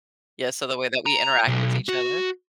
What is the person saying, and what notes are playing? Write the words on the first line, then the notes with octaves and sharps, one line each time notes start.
Yeah, so the way that we interact with each other.
A#5
B1
F#4